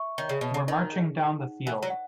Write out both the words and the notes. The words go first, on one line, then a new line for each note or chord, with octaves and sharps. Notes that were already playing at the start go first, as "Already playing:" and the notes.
We're marching down the field.
Already playing: E5 C#6
D#3 C#5
C#3
B2 C#5
C#3
D#3 D#4
G#4
D#4
F#5
E3 F#5
F#3
F#5